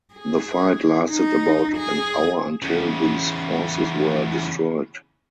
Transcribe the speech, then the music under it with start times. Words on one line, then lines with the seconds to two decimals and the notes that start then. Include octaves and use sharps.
The fight lasted about an hour until these forces were destroyed.
0.14 G#4
1.11 D#4
1.77 G#4
2.62 E2 C#3